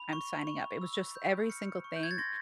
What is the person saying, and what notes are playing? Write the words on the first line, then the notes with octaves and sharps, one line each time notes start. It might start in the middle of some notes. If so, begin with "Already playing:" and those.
I'm signing up." It was just every single thing
Already playing: B5 F7
C#6
C#6
E6
G6
F6 C#7
C#6
G6
G#6
A6
C6 A#6